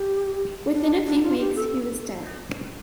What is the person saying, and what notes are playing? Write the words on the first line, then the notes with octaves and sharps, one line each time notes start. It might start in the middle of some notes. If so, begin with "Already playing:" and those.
Within a few weeks, he was dead.
Already playing: G4
D4
D4
F4
G4
A4